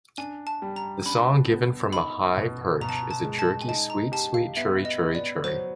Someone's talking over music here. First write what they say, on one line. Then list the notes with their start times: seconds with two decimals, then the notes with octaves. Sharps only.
The song, given from a high perch, is a jerky "sweet-sweet-churri-churri-churri".
0.18 D4 G#5
0.47 A5
0.62 G3
0.76 A#5
1.06 D4 B5
1.49 B3
1.93 D#4 B5
2.37 B2
2.81 B2 A#5
2.89 A5
2.96 A#5
3.11 A5
3.25 G#3
3.39 A5
3.62 G#5
3.68 D#4 A5
3.90 A#5
4.12 G4 A5
4.34 F5
4.56 B3 E5
4.85 D#5
5.00 B3
5.15 D5
5.44 F#3 C5